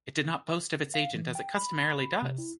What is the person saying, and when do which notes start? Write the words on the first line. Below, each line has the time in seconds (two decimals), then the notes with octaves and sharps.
It did not boast of its agent as it customarily does.
0.94 F5
1.14 E3
1.35 G5
1.56 B5
2.22 C3
2.38 E4